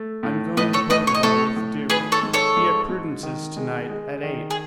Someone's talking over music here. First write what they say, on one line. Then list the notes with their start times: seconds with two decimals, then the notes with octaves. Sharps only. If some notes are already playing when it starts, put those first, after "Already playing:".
"I am going to Bougival with the duke; be at Prudence's to-night at eight."
Already playing: A3
0.23 A2
0.57 A2 B4 D#5
0.73 A4 C#5
0.90 A2 B4 D#5
1.07 C#5
1.15 D#5
1.23 A2 A4 C#5
1.56 A2
1.90 G#1 G#4 B4
2.12 A4 C#5
2.23 G#2
2.34 A4 C#5
2.57 G#2
2.89 G#2
3.23 D#3
3.57 G#3
3.89 G#3
4.23 D#3
4.51 G#4